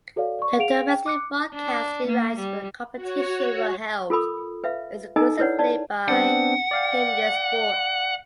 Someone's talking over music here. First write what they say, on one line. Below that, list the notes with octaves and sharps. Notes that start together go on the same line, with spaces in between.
The domestic broadcasting rights for the competition were held exclusively by Premier Sports.
F#4 A4 C#5 D5 F5
D5 C#6
G#4 F5 F#5 D7 F7
G5
D6 F#6 C#7
D4
A#3
G3
F#4 C#5
F4 A4 A#4 B5 D#6
B4 E5 F5
D#4 A4 A#4 D#5 G#5 A#5
E4 B4 C#5 D5 F#5
D5 A5
B3 C4 D4 F#5
D5 F5 G5